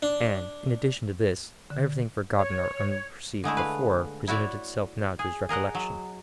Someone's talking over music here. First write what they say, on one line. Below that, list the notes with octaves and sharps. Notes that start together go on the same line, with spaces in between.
And, in addition to this, everything forgotten or unperceived before presented itself now to his recollection.
D4
D3
C#5
D3 G#3 A3 E4
B4 F5
E4 F#4 C#5 D5 E5
G#4
G#4 A#4 D#5 F#5
F#3